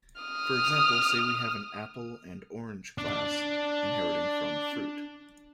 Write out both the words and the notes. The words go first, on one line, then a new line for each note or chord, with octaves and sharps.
For example, say we have an Apple and Orange class inheriting from Fruit.
D#6 F6
D4 D5